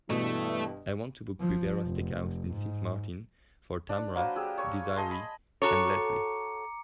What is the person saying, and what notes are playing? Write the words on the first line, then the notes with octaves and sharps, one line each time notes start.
I want to book Ribera Steakhouse in Sint Maarten for tamra, desiree and lesley.
G2 B2 E3 A3
F3
F1
G#2
D4
F#3 A#3 B4 C5
G4 G#4 E6
C#5 G#5 C#6
D#5 G#5 A5 C6
B5
F#4 A4 C#5 A#5 D6 C#7